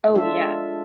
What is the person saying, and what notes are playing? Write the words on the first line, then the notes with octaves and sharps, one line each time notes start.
Oh, yeah.
G#3 D4 F4 A4 E5